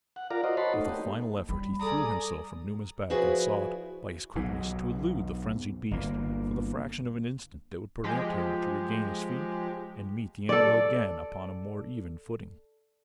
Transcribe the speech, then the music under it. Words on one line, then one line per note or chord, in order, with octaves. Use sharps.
With a final effort he threw himself from Numa's back and sought, by his quickness, to elude the frenzied beast for the fraction of an instant that would permit him to regain his feet and meet the animal again upon a more even footing.
F#5
F4 A#4 D5 F5 A#5
F#4 C5 D5 D#5
C#5 D#5 F#5 A5 B5 C6
A3 D#4
A#3 G4
G3 B5
G#4 A4 D5 A#5 D#6
F3 E4 F#4 G#4 B4 D5
B1 G#2
G1 A#3
F3 G#3 G4
A4 D5